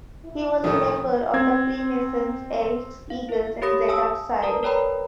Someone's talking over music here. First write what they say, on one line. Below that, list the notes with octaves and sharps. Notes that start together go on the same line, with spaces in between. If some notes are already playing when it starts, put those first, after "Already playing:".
He was a member of the Freemasons, Elks, Eagles, and Zeta Psi.
E4
A#1 A2 D#3 F3 A3 D#6
C4 G#6
F5
E4 E5
G4 C#5 B5 D#6 A#6
F5 G#5 A5 D#6 E6
A#4 B4 D5 A5 A#5 D#6
A#4 B4 C#5 G5 A#5 B5